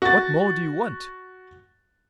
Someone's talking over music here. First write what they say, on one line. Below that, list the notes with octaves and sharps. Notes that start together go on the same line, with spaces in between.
What more do you want?'
F#4 A6